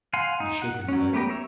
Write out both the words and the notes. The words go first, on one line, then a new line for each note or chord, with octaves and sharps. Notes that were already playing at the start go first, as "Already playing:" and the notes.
He shook his head.
F5 F#5 G#5 C6
D#4
F#5
F#3 C#4
A3 B3 G4 A#4
C#5 E5